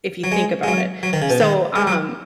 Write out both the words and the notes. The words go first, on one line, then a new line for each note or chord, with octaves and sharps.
if you think about it. So, um,
F#3
G#3
G#3
F#3
F#3
D#3
C#3
B2
D#3
G#3
F#3